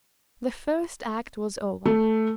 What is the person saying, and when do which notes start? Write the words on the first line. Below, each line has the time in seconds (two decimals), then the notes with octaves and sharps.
The first act was over.
1.86 A3